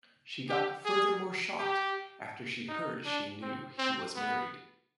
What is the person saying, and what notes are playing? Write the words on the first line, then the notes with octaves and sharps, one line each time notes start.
She got furthermore shocked after she heard she knew he was married.
G4
G#4
G4
D#4
D4
C4
C4
B3